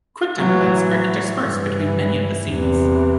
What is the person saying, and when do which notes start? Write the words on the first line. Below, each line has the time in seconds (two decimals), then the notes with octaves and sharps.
Quick Time Events are interspersed between many of the scenes.
0.38 A2 E3 F#3
1.42 G2 E3
2.46 E2 C3 E3